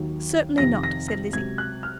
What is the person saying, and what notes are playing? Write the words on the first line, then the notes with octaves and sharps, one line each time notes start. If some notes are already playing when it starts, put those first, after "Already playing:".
"Certainly not," said Lizzie.
Already playing: D#2 D#3 F#3
F2 C3 D#3 A#6
A#6
A#6
C#2 C3 F#3 G#6
F#6
F6